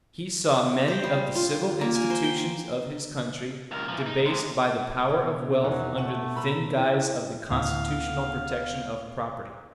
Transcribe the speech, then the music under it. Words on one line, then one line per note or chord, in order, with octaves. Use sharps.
He saw many of the civil institutions of his country debased by the power of wealth under the thin guise of the constitutional protection of property.
C5
G3
F4
A#3
G#5
C5
G5
C#2 A#4
E3 F3
D#4
C3 G#3
B2 C#5
E2 D#3 F#3
A3 F#5
A#5 B5 E6
C#3 E4
D2 A2 B3 F5